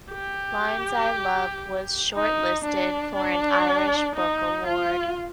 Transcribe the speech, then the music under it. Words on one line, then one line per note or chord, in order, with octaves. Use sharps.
"Lines I Love" was shortlisted for an Irish Book Award.
G4
D#4
D4
D4
D#4
F4